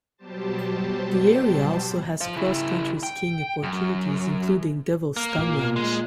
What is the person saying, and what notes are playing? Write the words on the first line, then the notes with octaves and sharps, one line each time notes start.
The area also has cross-country skiing opportunities, including Devil's Thumb Ranch.
B2 F#3 G3 G4 C5 A5
C5 F5
C#3 E4
G5
F#2
A#3
A#2
G#3